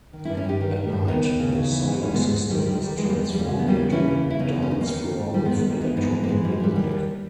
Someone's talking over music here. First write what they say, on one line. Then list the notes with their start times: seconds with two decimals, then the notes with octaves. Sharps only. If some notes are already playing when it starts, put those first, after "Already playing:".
At night, the solar system is transformed into a dance floor with electronic music.
0.13 D#3
0.25 C#4 E4
0.29 G2
0.37 C#4 E4
0.45 G2 D#4 G4
0.61 D#3
0.77 D#3
0.92 G2
1.08 D#2 B3 D#4
1.24 D#2
1.40 C#3
1.55 C#3
1.71 E3
1.87 E3 D#4
2.02 G#2 A#3 C#4
2.14 G#3 B3
2.19 G#2
2.26 G#3
2.35 G#2
2.50 D#3 G3
2.58 G#3
2.66 D#3 G3
2.74 G#3
2.82 D#3 G3
2.97 E3 G#3
3.09 E2 G3 A#3
3.21 G#3
3.29 E2 G3
3.39 G3
3.45 C#3 G#3
3.59 E2 B3
3.68 G3 A#3
3.76 C#3
3.91 E3 C#4 E4
4.08 C#3
4.24 E2
4.30 E4
4.39 C#3 B3 D#4
4.55 E2
4.62 C#4
4.71 E2 D#4
4.81 A#3 C#4
4.86 D#3
5.02 D#3
5.18 G#2
5.33 D#3 G3 A#3
5.45 G#3 B3
5.50 D#3
5.57 G#3 B3
5.65 D#3 A#3 C#4
5.81 E3 B3 D#4
5.97 G#2 B3 D#4
6.12 E3
6.24 A#3
6.28 E3 G#3 B3
6.44 G#2 G3
6.52 G#3
6.60 E3 G3
6.75 D#2 G3
6.91 D#2